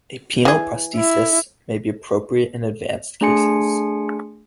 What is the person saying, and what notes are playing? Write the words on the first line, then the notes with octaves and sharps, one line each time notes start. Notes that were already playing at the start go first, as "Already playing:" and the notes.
A penile prosthesis may be appropriate in advanced cases.
E3 G#4
E4
A3 D4 G#4 G#5 C6 C#7